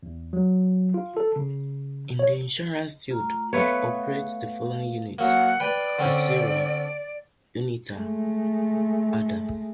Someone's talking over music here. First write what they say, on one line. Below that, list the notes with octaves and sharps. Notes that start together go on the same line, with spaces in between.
In the insurance field operates the following units: Asirom, Unita, Ardaf.
E2
F#3
F4
A4
C#3
C#5
A3 F4 A#5
A3 B3 B4 C#5 F5
F#3 A#3 F#5
B4 D5 G5
D3 C4 C#4
G#3 A3